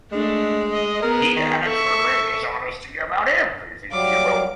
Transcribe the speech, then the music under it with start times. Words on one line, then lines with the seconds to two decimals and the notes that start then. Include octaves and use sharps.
He had a tremendous honesty about everything he wrote.
0.12 G#3 A3 D4
0.73 D#5
1.02 B3 G#4 A#4
1.36 D#3
1.66 A4 E5 C#6
3.92 F#3 G3 F5 D6